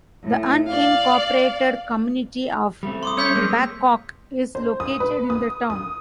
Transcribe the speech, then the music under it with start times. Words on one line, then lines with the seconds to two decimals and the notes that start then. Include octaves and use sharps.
The unincorporated community of Babcock is located in the town.
0.24 A2
0.67 D5 F5
2.83 G3 A3 C4
3.03 C6 D6 D#6
3.17 C#4 C#5 E6 G6 B6
3.36 G#3 A#3
4.55 C5
4.80 D#6
5.00 B4
5.30 D#6
5.70 D#6